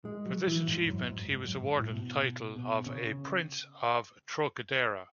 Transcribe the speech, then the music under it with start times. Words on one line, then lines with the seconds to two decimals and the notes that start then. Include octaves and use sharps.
For this achievement, he was awarded the title of a "Prince of Trocadero".
0.05 G#3
0.26 F#3
0.47 E3
0.68 G#2
0.88 F#2
1.09 G#2
1.31 G#2
1.46 F#2
1.61 G#2
1.76 A2
1.93 B2
2.56 B2
2.86 C#3